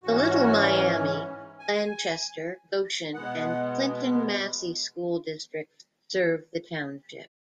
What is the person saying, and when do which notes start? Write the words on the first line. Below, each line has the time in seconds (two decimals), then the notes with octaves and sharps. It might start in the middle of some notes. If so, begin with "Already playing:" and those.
The Little Miami, Blanchester, Goshen, and Clinton Massie school districts serve the township.
0.04 G#2 E3 C#4 F#4
1.59 G#5
3.14 B2 G#3 B3 F#5